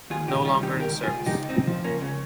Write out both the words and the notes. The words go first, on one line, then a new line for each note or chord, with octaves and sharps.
No longer in service.
D#2 F4 G#4
D#2 D#4 G4
G3 C#4 F4
D#3 D#4 G4
C#2 G4 A#4
C#2
F4 G#4
C#2
D#4 G4
C#2
C#2 C4 D#4
F3
C#2 A#3 C#4
C#3